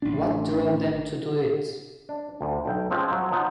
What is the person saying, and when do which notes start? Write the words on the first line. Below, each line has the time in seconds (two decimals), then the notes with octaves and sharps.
What drove them to do it?
0.02 A1 D4
2.09 D4
2.41 D2
2.66 B1 G5
2.90 F3 G#3 C4 C#4
3.12 F#3
3.31 B2 F3 B3 D#4